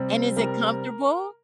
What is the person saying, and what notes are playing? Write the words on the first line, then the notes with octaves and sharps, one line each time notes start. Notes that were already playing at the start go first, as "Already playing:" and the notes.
And is it comfortable?
Already playing: C3 G3 C4
C3 G3 C4 A#4